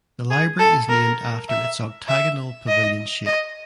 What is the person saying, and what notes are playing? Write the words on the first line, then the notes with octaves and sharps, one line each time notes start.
The library is named after its octagonal pavilion shape.
G#4
A4
A#4
E5
E5
D#5
D#5